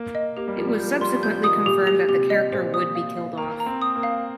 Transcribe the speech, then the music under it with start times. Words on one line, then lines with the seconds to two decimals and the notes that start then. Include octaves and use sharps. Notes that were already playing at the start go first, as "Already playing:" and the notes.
It was subsequently confirmed that the character would be killed off.
Already playing: A#3
0.15 D#5
0.37 A#3 G4
0.48 G3
0.58 F3 G4
0.68 G3
0.80 G3 G6
1.01 G3 C6
1.23 F3 G6
1.44 D#3 D#6
1.65 A#2 G4
1.87 G4
2.09 C3 G4
2.30 D#5
2.52 A#2 C5
2.74 D#6
2.95 F5
3.17 F5
3.38 A#3 A#5
3.60 A#5
3.66 C4
3.82 D#6
3.95 A#3
4.03 F5